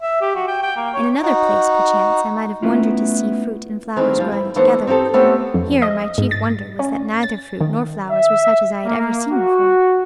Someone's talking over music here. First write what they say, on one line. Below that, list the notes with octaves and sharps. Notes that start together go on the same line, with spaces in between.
In another place, perchance, I might have wondered to see fruit and flowers growing together: here, my chief wonder was that neither fruit nor flowers were such as I had ever seen before.
E5
G4
F#4
G5
G5
A#3
C#5
D#4 F#4
A3 B3 C#4 E4 F4
D#3 E3 G#3 A3 C4
F3 G3
E4
E3 A3 B3 D#4 C5 C#5
C4 D#4 F#4 G4 A4
A3 B3 C4 G4 C#5 F#5
F2
D#5
G#2
A6
C#4
A6
D#3
E5
A#3
F#4